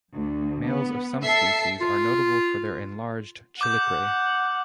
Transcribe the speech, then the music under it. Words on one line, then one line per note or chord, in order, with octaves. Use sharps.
Males of some species are notable for their enlarged chelicerae.
D2
B3
A4 E5 C7
F4
F#5 D6 G6